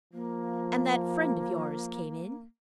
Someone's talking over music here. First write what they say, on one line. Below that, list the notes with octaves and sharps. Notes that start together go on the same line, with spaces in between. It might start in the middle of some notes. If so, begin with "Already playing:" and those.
"And that friend of yours came in?"
F3 A#3